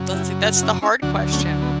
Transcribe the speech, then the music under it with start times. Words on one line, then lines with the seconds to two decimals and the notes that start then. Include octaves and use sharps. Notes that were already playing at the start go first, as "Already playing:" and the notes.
That's th that's the hard question.
Already playing: F#2 C#3 F#3
0.13 E4 G4
0.43 F#4 A4
0.56 F#4
0.63 C#4 E4
0.82 C#4 E4
1.02 D2 D3 F#3 D4 F#4
1.32 A3 C#4
1.62 B3